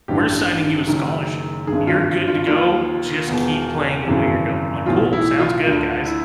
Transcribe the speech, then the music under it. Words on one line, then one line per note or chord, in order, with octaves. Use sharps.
We're signing you a scholarship. You're good to go. Just keep playing the way you're going". I'm like, "Cool. Sounds good, guys".
A1 G2 E3 G4
F#1 F#2 D#3
G#1 G2 D#3 G#4
F4
F4
D#2 D#3 F4
E1 E2 B2
G#1 F#2 C#3 E3
B1 A2 E3 F4
E4
F4
D2 D3 F4
E4